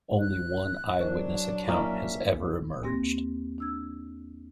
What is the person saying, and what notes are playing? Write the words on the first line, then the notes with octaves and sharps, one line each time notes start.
Only one eyewitness account has ever emerged.
F#6
F#3 D4 A#4 C5 D#5
A#3 C#4 E4 D#5 E5 D#6
D#2 A#3 C4 G4 C6 A#6
D4 E6 G#6